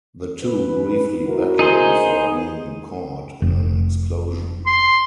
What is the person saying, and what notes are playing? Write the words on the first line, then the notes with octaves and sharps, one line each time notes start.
The two briefly battle before being caught in an explosion.
B4
E4 F#4 A#4
D#4 G#4 C5
B3
F1
C6